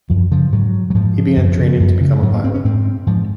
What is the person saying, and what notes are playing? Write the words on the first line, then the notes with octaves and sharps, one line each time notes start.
He began training to become a pilot.
F#2 F3
C#3 F3
G#2 F#3
F#3
G#2 F3
F#2
C#3
F#2
C#3
G#2 F#3
A#3
C4
C#4
G#2 C4
G#2 F3